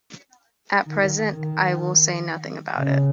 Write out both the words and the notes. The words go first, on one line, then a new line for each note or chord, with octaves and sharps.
At present I will say nothing about it.
D#3
D#3
C#3